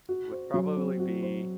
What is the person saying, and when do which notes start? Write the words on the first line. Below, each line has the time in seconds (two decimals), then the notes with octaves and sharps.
It would probably be
0.09 F#4
0.32 C5
0.54 F#3
0.77 C4
1.00 F#4
1.22 C5